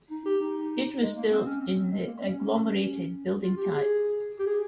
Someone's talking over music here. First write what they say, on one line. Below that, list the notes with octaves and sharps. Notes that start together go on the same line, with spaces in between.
It was built in the "agglomerated building type".
D#4
G4
D#4
G#3
A#3
C4
C#4
C4
G#3
A#3
C#4
F4
G4
G#4
G4
G#4